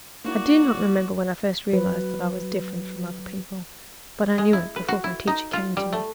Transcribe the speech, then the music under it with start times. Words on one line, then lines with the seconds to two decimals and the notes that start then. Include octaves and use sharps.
I do not remember when I first realized that I was different from other people; but I knew it before my teacher came to me.
0.24 A#3 E4 F#4 D5
1.73 F#3 B4
4.38 G#3
4.53 E4
4.76 B4
4.88 F#4
5.04 E4
5.27 D#4
5.53 F4
5.77 G3
5.93 A3